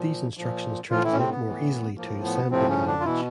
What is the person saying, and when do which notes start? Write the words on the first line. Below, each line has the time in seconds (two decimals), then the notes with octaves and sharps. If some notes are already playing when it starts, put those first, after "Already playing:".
These instructions translate more easily to assembly language.
Already playing: A#2 F3
0.37 A#2 F3
0.91 A2 E3 F3 F4
1.04 E3 E4
1.13 C#4
1.18 C3 C4
1.31 B3
1.44 A2 E3
1.97 A2 F3 A#3
2.24 B3
2.51 A2 C3 F3 C4
2.69 C#3 C#4
2.86 D3 D4
3.00 F4
3.05 B2 E3 E4